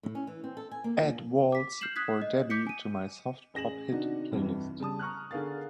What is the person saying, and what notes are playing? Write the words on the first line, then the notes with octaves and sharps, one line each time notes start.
Add Waltz for Debby to my Soft Pop Hits playlist.
A2
C#4
E3
C4
A4
G#5
A#3
F3
D6 B6
F6 G6 C7 E7 F#7
D#6 F#6 G#6 B6
D#5
D6 G6 B6 C#7
G#5 D#7
A1 G#4 A#6 E7 F#7
C3 D#3 D4 D#4 F#4
F1 C2 G2 E3
C#3 G3 A5 D#6
A#5 C#6 F6 F#6
D3 G#4 A#4 F5 A6